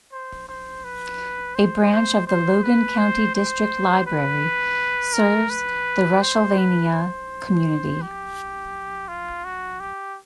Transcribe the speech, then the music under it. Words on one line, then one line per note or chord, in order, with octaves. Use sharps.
A branch of the Logan County District Library serves the Rushsylvania community.
C5
C5
B4
C5
C5
C5
B4
C5
C5
B4
A#4
B4
C5
B4
C5
G4
F4
F#4
G4